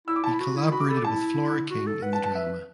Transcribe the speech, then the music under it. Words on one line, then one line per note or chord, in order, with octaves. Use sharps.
He collaborated with Flora King in the drama.
E4 E6
D6
E4 A5
B5
F#4
E4
F#4 B5
D6
A4 B5
D6
E4 A5
F#4
A4
B4 F#5
A5
A5
E5